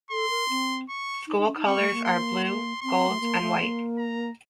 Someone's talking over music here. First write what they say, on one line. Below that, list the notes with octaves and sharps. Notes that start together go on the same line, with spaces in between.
School colors are blue, gold, and white.
A4 C6
A#4
C4
C#6
D#4
D#4
C#4
D#4
C4 C#6
A3
A#3
C6
C6
C4 C6
A3
A#3
A3
A#3
A#5